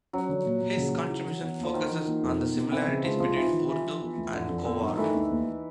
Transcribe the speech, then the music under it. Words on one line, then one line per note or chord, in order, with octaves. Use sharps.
His contributions focuses on the similarities between Urdu and Khowar.
F#3 C#4
D3
A#2
A#2
C#3
C#3
E4
E3
B3
D#2 F3
D#3 F4
E3
A#3
F2
B2
B2
E3 C4
C#3
F3 G#3
C2 F3
E3 D#4
D#3
E3 G4
F3
B3
D2
F2 D3
F2
D3 B3
D#3
G2
D#3
E3 A3
D2
D#2